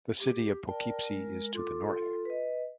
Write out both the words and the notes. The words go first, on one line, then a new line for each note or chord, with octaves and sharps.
The city of Poughkeepsie is to the north.
G4
A#4 D5 G5 A5
G#3
F4 A4 D6
A4
B4 D#5